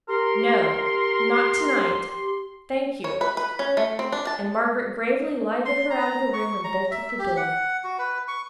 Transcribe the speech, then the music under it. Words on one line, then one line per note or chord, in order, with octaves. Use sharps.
'No! not to-night, thank you.' And Margaret gravely lighted her out of the room, and bolted the door.
G4 A#4 C6
C#5
B4
B4
C#4
A3
C4
D4
A5
C6
A#5
C#6
A#5
E5
G4
F#5
F#4
B4
C#6